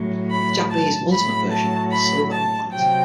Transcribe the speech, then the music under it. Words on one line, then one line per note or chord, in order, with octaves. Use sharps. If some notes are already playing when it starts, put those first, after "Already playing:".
The Japanese "Ultimate Version" is silver and white.
Already playing: A2 F#3
B5
A5
A2 F#3 B5
A5
B5
A5
C3 F#3 G5